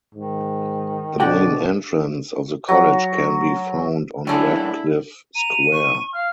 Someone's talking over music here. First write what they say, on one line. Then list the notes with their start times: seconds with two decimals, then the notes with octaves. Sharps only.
The main entrance of the College can be found on Radcliffe Square.
0.15 G#2 D#3
1.20 B2 D3 F#4 D5 G5
2.68 F#3
4.27 F#2 A2 D3 E4 G#4
5.35 A#5 D#7
5.72 C#6
6.13 F5 F6